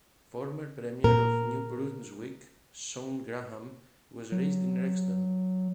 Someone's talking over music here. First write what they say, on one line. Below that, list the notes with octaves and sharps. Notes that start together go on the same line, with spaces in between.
Former Premier of New Brunswick, Shawn Graham, was raised in Rexton.
A#2 A#4
F#3